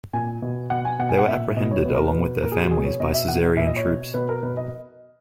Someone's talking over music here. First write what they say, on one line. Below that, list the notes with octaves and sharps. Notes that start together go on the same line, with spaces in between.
They were apprehended along with their families by Caesarian troops.
A#2 G#5
B2
B2 F#5
G#5
B2 F#5
G#5
F#5
A#2 E5
B2 D#5
C#5
B2 B4
A#4
B4
B2
A#2 A#4
G#4
F#4
B2 G#4
C#5
B2 D#5
E5
B2 F#5
A#2 E5
D#5
C#5
B2
B2 B4
A#4
B2 B4
D#5